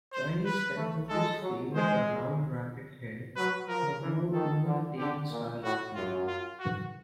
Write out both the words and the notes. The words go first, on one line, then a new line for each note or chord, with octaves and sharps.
Chinese penholders favour a round racket head, for a more over-the-table style of play.
C5
B4
A3
G#3 A4
F#3
G#3 C5
F#3 B4
F3 A#4
E3
D#3 A4
D3
D3 G4
A#2
A2 F#4
F#2 F4
F4
F#4